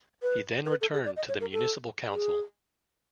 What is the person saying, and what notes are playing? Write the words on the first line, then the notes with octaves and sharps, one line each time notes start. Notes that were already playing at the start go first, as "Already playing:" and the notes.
He then returned to the municipal council.
B4
A#4
B4
A4
G#4
D5
D#5
C#5
A#4
A4
G#4